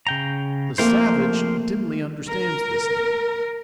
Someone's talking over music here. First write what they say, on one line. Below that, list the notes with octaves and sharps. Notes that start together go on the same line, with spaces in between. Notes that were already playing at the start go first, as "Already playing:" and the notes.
The savage dimly understands this need.
C#3 G5 A#5
F3 A3 A#3 C4 A#4 C5
A#4